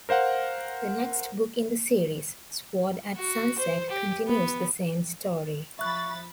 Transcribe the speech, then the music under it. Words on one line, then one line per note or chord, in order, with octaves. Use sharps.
The next book in the series, "Sword at Sunset", continues the same story.
A#4 C5 F5 F#5
F#4
C5
G4
B3
F3 E5 B5 C#6 F#6 A6